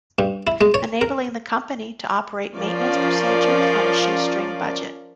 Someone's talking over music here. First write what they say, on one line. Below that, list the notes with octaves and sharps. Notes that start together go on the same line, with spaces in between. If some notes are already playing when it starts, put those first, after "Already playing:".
Enabling the company to operate maintenance procedures on a 'shoe string' budget.
G2
E4
G#3
C#5
A#4
F3 C#4 F4 A#4 D5